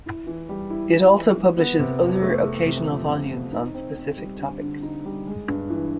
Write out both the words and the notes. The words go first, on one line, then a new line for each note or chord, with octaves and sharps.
It also publishes other occasional volumes on specific topics.
E4
E3
G3
E4
E4
E3
E3
B3
C3
F2
A3
A3
C3
F3
C3
C3
D#4
C4
C4
G3
D3
D3
D#4
G3
G#3
G2
E3